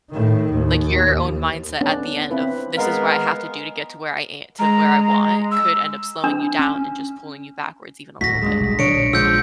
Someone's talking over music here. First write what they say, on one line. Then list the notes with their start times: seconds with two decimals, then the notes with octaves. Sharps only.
Like, your own mindset at the end of, "This is what I have to do to get to where I am to where I want," could end up slowing you down, and just pulling you backwards even a little bit.
0.11 A2 D#3
0.54 D#2
1.81 B3 C#4 D4
2.31 C4 E4 B4
2.77 G#3 B3 A#4 B4 F5
4.59 G#3 A#5
5.51 E6
6.24 D4
6.59 C#4
8.21 D1 D#2 A3 F#4 A#6 B6
8.42 G2 G#3
8.60 B1
8.79 D3 F#3 D4 C#5 C#7 D7
8.96 A#1
9.13 D3 F3 G#3 E6 G6 C#7